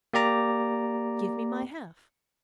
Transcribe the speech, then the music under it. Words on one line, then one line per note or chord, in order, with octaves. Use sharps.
Give me my half.
A#3 G4 D5 A#5 D6